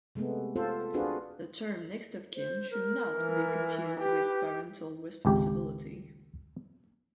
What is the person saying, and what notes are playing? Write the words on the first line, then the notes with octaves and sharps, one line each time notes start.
The term "next of kin" should not be confused with parental responsibility.
C3 G#3 A3 B3
C4 F4 A4 C5
C4 D4 F4 F#4 G#4 B4
C5
A#4
E3
G4 B4
G#1 C#2 G4